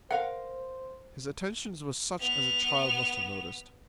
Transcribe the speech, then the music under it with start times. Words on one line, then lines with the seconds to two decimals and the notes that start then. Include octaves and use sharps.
His attentions were such as a child must have noticed.
0.11 A#4 C5 F5 F#5
2.20 B3 F7